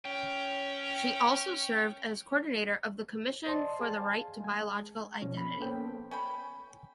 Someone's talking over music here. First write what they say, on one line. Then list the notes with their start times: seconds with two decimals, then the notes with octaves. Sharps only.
She also served as coordinator of the Commission for the Right to Biological Identity.
0.05 C#4 G5
3.47 C5 D5 D#5 A5 C6
3.80 G#4 F5 G#5 A5
4.41 G#3 G#5
5.22 B2 F3 C#4
5.37 B5
5.60 A#3 B3 C#4 A4 C5 G5
6.11 C#4 G5 B5